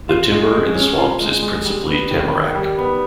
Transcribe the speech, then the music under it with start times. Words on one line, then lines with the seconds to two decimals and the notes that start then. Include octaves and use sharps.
The Timber in the Swamps is principally Tamarac.
0.09 F4
0.31 G#3
0.53 G#3
0.76 C#4
0.98 F4
1.20 G#3
1.43 G#3
1.65 G3
1.87 B3
2.10 D#3
2.32 D#3
2.55 G3
2.78 B3